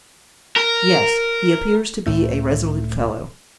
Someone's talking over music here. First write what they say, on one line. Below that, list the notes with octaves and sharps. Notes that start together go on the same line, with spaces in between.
"Yes; he appears to be a resolute fellow."
A#4
C#2 A2 A3